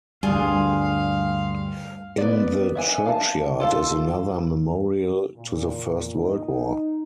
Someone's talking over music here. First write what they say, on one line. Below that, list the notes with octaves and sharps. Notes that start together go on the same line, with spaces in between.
In the churchyard is another memorial to the First World War.
D2 G2 G3 F4 G#4 F5
B3 D5
E5 F#5 G#5
F5 A5
F4 A4 F5
A#2
D#4